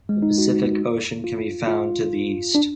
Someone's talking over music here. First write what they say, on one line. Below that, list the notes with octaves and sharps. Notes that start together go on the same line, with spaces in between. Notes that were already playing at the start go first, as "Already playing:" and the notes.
The Pacific Ocean can be found to the east.
G#3
D#4
F#4
F4
F4
D4